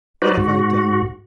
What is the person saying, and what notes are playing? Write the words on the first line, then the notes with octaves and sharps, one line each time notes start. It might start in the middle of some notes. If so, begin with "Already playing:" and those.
What have I done?
D#4 F#4 B4 C5 D5
G#2 F#4